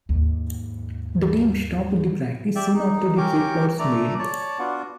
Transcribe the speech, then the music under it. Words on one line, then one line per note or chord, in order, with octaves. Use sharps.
The team stopped the practice soon after the threat was made.
D#2 G#2
G4 D5 E5
D#4
C#4 G4 A#4 D6
A3 D4 D5 A#5
C#5 D5 A5
B3 D4 F4 F#4